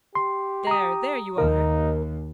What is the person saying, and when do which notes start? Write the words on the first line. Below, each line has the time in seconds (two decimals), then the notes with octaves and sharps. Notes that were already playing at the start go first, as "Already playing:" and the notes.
There, there you are.'
0.15 G4 C6
0.67 A#5 D#6
1.38 D#2 D#4 A#4